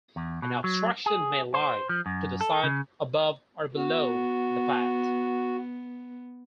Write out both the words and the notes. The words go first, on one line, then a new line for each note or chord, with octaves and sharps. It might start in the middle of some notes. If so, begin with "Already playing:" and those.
An obstruction may lie to the side, above, or below the path.
E2
B2
F#3
G#4
C5
F3
F#2
A4
C#3
B3 F#4